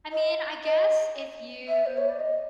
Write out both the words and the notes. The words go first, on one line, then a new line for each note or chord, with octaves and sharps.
I mean, I guess if you
D#5
D#5
E5
C5
C#5
D5
D#5